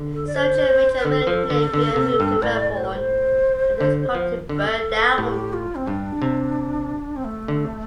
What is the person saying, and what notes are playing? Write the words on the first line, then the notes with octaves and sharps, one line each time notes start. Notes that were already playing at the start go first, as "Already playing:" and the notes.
Sergeant-Major William Napier moved to Melbourne after his property burnt down.
Already playing: D3
A4
D5
C5
D3 A4
F3
D3
D3
C3
G2
A2 D5
C5
A4
C5
D3
F3
D3 A4
A2 G4
F4
C4
G2 D4
C3
C4
A3
D3